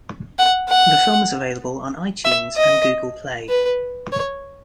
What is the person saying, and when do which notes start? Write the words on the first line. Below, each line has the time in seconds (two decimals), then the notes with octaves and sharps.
The film is available on iTunes and Google Play.
0.38 F#5
0.69 F#5
2.25 E5
2.56 D#5
3.49 B4
4.12 C#5